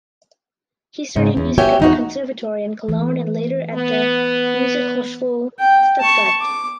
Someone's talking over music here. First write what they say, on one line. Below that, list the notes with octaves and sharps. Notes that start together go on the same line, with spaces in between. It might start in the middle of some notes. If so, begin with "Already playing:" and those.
He studied music at the Conservatory in Cologne and later at the Musikhochschule Stuttgart.
G#2 C#3
E2
F#4 G4 C#5 E5 G5 G#5
E2 D#4 F#4
E3 A3
B3
G5
A5 C#6
D6